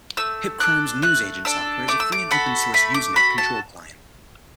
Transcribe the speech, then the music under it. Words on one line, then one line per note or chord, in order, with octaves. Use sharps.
HipCrime's Newsagent software is a free and open source Usenet control client.
A3 E6
D4 A4 F#6
A3 F#6
D4 A4 E6
A3 D6
E6
D6
F#4 A4 B5
A3 B5
D6
F#4 A4 B5
A5